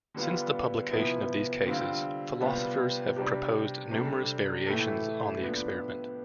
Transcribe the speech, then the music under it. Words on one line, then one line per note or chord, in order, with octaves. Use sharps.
Since the publication of these cases, philosophers have proposed numerous variations on the experiment.
D3 G3 B3 D4 F4
C3 F3 B3 E4
D3 G3 C4 F4
C3 G3 B3 F4
C3 G3 D4 G4
C3 G3 D4 A4
A2 E3 A3 E4 A4
F3 B3 D4